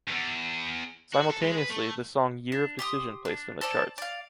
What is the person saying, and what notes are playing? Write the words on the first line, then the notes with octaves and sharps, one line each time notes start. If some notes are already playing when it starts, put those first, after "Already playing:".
Simultaneously, the song “Year of Decision” placed in the charts.
E2 G2
F#4
A4
G#3
B4
A3
D4
G4 C6 D#6
D4
A4 C5 D5 A5
D5 F5